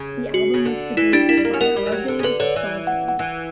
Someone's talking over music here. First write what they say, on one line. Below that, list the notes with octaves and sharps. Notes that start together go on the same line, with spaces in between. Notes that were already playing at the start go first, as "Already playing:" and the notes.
The album was produced by Arvid Solvang.
Already playing: C#3
F#4
C#3
D3
E3 E4
G3 D4
A#3 E4
G3
A#3
C#4
B3 A#4
G3
E3
F#3
D3
C#3
D3 B4
D3 C#5
E3
F#5
F#5
E3